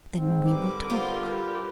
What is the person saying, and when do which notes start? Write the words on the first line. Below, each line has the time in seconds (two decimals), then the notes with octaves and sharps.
Then we will talk.
0.15 G#2 C4
0.47 D3 G3 A#4 B4 D6
0.90 B3 F4 C5
1.28 G4 B4